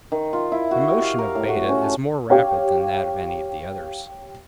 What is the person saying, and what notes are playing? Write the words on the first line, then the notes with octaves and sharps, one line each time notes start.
The motion of Beta is more rapid than that of any of the others.
D#3
F4
E4
F#4
G4
F5
A#4
A2
F#4
C#4
A5
G4 C#5 F5